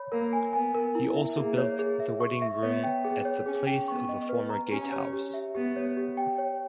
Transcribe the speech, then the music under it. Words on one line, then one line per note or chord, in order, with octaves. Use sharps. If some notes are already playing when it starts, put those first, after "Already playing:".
He also built the wedding room at the place of the former gatehouse.
Already playing: C#5 B5
A#3 A#4
G#5
B3 G#5
A#4
E4
E5
A#3 G#4
C#5
G#4
E5
C#6
E5
B3 C#5
G5
B3 G#4
C#5
C#4 G#4
G5
B3 C#6
D#5
B4
A#5
C#4 G4
C#5
G4
E5
B3 G4
C#5
G4
G5
C#5